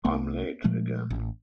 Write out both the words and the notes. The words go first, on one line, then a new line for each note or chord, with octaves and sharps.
I’m late again!
C2 A3 B3
A#2 F3 G#3 A3
A1